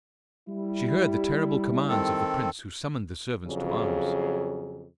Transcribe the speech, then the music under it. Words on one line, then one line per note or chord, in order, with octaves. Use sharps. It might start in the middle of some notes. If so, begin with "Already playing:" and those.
She heard the terrible commands of the prince who summoned the servants to arms.
G3 E4
D#3 C4 A4
F2 C#3 F#3 G#4